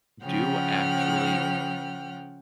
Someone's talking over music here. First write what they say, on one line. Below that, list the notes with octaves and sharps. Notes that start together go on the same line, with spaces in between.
do actually
C#3 F3 F#5 G5 F6